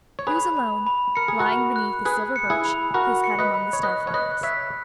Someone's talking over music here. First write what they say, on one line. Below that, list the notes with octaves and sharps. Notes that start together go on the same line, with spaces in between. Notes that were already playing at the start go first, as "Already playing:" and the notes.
He was alone, lying beneath a silver birch, his head among the star flowers.
C#5
G#4 B4 B5
B5
B5
A#4 C#7
G#4
F#4 A#4
B5
F#6
G#4 B4 F#6
C#7
E4 G#4
B5
F#4 A#4 B5
C#7
B4 D#5
B5
C#5
B4 D#5 F#6
C#5
B4 D#5 F#6
C#5 E5 B6